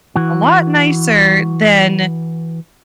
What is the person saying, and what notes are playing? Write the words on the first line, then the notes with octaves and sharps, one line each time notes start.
a lot nicer than
E3 F#4